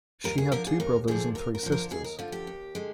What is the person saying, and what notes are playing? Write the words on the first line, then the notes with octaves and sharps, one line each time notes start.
She had two brothers and three sisters.
D#2 A#4
G#4
D3 F3 A#4
G#4
D#2 A#4
D3 F3 G#4
D#2 A#4
A#4
D3 F3
A#4
D#2 G#4
A#4
D3 F3 F4
G4
D#2
D3 G#3